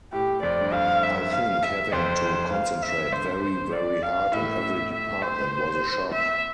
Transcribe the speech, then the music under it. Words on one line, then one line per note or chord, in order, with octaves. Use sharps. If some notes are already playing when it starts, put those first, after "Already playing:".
I think having to concentrate very, very hard on every department was a shock.
A2 G4
F2 D5
G2
F2 F5
E5
F5
E5
F2 C5
F5
E5
G2 C5
C5
D5
F5
A2 E5
E5
C5
E5